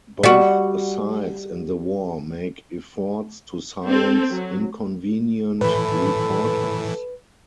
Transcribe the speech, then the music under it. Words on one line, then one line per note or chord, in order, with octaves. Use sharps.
Both sides in the war make efforts to silence inconvenient reporters.
G3 F#4
C4 A4
F#3
A2 E3 A4 B4 B5